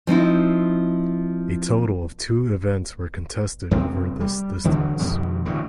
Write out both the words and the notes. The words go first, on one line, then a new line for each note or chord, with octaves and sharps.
A total of two events were contested over this distance.
F3 C4 D#4 E4
F#2 C3 C4
G3
E1 G2 D3 F#3
F2 B2 D#3 G3
A1 G2 B2 D3